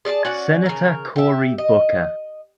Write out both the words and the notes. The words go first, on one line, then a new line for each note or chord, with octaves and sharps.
Senator Cory Booker.
G#4 D5 E5 A5
C#4 F#4 D5 F#5
C#3 A#4
G4 E5
D#5